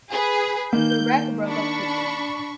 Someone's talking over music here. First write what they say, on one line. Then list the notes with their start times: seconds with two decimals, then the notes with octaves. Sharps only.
The wreck broke up quickly.
0.11 G#4 B4
0.73 D#3 A#3 G6
1.47 D4 B5 C#6